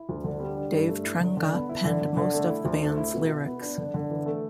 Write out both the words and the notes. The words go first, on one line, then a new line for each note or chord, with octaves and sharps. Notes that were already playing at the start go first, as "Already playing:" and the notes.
Dave Trenga penned most of the band's lyrics.
Already playing: E4
D2
D3
G3
D4
G2
A3
E4
D3
D3
B3
E4
D3
D3
D3
A3
E4
D2
A3
E4
B2
B2
B3
D4
D3
D3
E3
A3